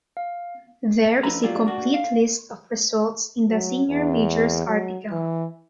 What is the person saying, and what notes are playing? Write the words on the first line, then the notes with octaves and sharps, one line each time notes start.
There is a complete list of results in the senior majors article.
F5
F2 A3 C#4 B4 A#5
F2 F#3 A3 D4 F4 G4
A#3 D4 F#4
F5
F#3
E2
F#3
E3